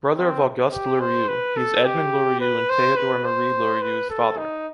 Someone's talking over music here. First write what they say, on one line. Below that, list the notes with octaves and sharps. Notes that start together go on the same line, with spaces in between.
Brother of Auguste Lorieux, he is Edmond Lorieux and Théodore-Marie Lorieux’s father.
C4
G4
C5
B4
A4
G4
B4
C5
B4
C5
B4
A4
D#4